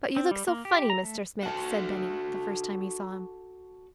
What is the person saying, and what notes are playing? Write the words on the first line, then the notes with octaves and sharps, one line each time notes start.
"But you look so funny, Mr. Smith," said Benny, the first time he saw him.
C4
G3
A#3
G4
A#5
A3
F#4 A4